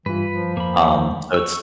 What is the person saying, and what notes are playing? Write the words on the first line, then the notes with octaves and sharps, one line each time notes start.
Um, so it's
G2 E3 F4 B4
F3
F2 A#3 B5
C#6 E6